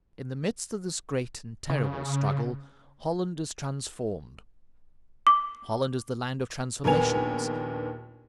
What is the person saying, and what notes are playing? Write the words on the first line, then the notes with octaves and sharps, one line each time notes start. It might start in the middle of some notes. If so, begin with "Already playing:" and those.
In the midst of this great and terrible struggle Holland is transformed: Holland is the land of transformations.
C#3
D6
A#1 D#2 B3 A#4 G#5 F7